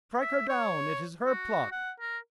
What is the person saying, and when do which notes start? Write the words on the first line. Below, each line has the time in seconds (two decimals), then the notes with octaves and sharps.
Strike her down; it is her plot.
0.20 E5
0.49 C#5
1.26 F#4
1.72 F#5
2.00 A#4